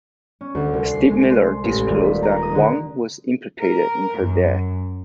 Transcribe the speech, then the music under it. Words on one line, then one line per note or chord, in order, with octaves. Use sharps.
Steve Miller disclosed that Hwang was "implicated" in her death.
C#4
D2
C2
C7
G#3
C6
A1
D#1
B6
A#5
D#6
D3
A#4
F#2